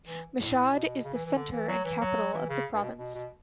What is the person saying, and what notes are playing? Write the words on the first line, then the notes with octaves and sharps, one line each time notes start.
Mashhad is the center and capital of the province.
E3
A2
B2
C#3
E3
E3
D3
E3
F#3
E3
F#3
E3
C#3
G2
B2
B2
B2